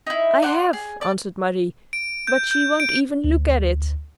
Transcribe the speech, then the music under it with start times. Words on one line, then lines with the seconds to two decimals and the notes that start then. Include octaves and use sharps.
"I have," answered Marie, "but she won't even look at it."
0.07 D#4 E4
0.42 D5 F#5 G5 C6
0.73 G#4
1.01 D5 A5
1.93 D7
2.27 G6
2.51 G6
2.80 D7
3.24 D2